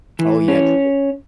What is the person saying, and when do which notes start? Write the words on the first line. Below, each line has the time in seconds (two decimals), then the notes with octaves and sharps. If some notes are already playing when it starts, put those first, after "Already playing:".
Oh yeah, true,
0.19 E3
0.48 C#4